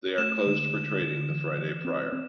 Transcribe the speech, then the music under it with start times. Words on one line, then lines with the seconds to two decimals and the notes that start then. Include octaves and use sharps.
They are closed for trading the Friday prior.
0.18 A3 E7
0.46 D3
0.74 D3
1.02 D3
1.30 E3
1.58 E3
1.84 C4
2.12 C4